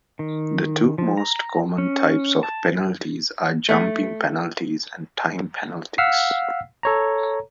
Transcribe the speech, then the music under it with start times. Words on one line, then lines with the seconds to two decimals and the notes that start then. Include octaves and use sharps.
The two most common types of penalties are jumping penalties and time penalties.
0.19 D#3
0.98 F3
1.17 A#5
1.78 C#4
2.43 A5
3.69 A3
5.98 F5 F#5 E6 F6 B6 C7
6.83 A4 C#5 A#5